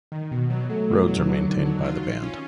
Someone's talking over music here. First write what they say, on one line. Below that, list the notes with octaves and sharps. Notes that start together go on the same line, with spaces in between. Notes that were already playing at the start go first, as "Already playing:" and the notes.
Roads are maintained by the band.
D#3
B2
F#3
F#3 A3
B2
E3 F#3
D3
D3 D#3
F#3
D#3 F4
F4
C#4